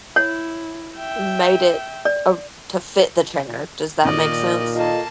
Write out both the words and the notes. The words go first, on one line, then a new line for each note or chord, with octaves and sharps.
made it, uh, to fit the chair. Does that make sense?
E4 C#5
E5 G5
D5
A#2 D#3 D5 D#5
A#3 F4 A4 D#5 A5